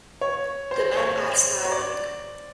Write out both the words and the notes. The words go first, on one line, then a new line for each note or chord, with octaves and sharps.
The men are starving.
C#5
C5
C#5
C#5
D5